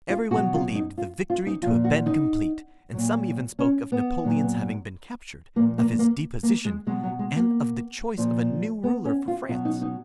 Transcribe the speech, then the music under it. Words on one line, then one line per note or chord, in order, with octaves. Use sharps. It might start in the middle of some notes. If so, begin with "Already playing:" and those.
Everyone believed the victory to have been complete, and some even spoke of Napoleon's having been captured, of his deposition, and of the choice of a new ruler for France.
F4
B2 F#3 F#4
F4
D#4
F4
F4
D#4
A#2 F3 F4
F#4
D#4
A#2 F#3
C#4
B3
A#2 F#3
A#2 F3 A#3
A#3
A#3
A#3
G#3
B2 F#3 G#3
F#3
G#3
A#3
A#2 F3
B3
C#4
F4
B2 F#3 F4
D#4
D#4